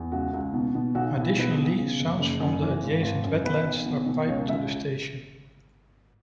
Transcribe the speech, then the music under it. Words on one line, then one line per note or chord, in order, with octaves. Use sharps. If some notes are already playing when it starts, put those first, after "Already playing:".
Additionally, sounds from the adjacent wetlands are piped to the station.
Already playing: E2
C#2 F#4
C#2
B2
B2
B1 F#4
B1
E4
B2 B4
G#4
B2
C#3
F#1
F#1
F#2
E3
G#1
G#1
F#2
B1 B4
B1
B2
B2
C#2 C#5
C#2 E5